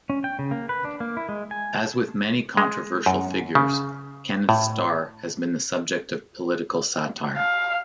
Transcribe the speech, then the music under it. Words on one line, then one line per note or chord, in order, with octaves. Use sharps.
As with many controversial figures, Kenneth Starr has been the subject of political satire.
C#4
G5
C#3
A#3
B4
D4
A#3
E4
G#3
G#5
A5
G#3
F#2
C#3
A2
F5